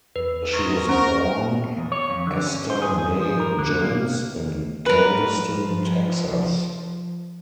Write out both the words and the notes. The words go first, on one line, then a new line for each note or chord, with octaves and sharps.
She was born Esther Mae Jones in Galveston, Texas.
E2 B4
A#4 C5 D#5 C#6
C#4 A#4 C5 A#5
E2
C#5
F2
D3
C#4
C5
G#4
G#4
F3
A#4
D3
A#3
G3 A#4 B4
F3